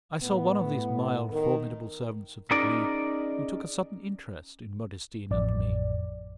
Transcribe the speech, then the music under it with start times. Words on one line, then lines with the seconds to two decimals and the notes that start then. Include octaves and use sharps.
I saw one of these mild formidable servants of the glebe, who took a sudden interest in Modestine and me.
0.22 A2 B3
1.31 D#3 A#4
2.51 C#4 D#4 G#4 A#4 D5
5.31 A1 F2 D5